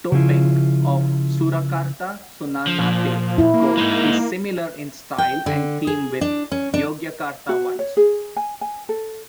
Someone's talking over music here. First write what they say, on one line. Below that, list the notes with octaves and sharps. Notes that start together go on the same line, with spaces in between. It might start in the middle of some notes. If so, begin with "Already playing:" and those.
Topeng of Surakarta Sunanate court is similar in style and theme with Yogyakarta ones.
C#3 F3 E4 F4
F3
A#2 F3
E4
A#3
G#3 D#4
G5
D3
G#4
D4
C#4
D4
F#4
C#5
G#4
G#5
G#5
A4